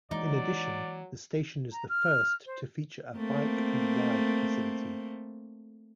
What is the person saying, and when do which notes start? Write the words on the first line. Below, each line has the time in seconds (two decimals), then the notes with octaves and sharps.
In addition, the station is the first to feature a Bike and Ride facility.
0.11 E3 F#3 G#3 A#3 D#4 D5
1.72 A#5
1.89 F6
2.46 C5
3.17 A3 A#3 C4